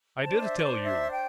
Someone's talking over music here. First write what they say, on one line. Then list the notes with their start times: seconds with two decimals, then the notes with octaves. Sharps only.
I did tell you.
0.24 D4 C5 A5
0.39 D5
0.44 E5
0.59 E5
0.63 D5
0.83 E5
1.12 G5